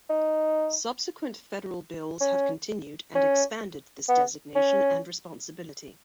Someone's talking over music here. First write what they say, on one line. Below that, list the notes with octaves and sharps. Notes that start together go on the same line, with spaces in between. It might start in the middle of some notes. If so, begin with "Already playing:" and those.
Subsequent federal bills have continued and expanded this designation and responsibility.
D#4
C#4
C#4
B3
C#4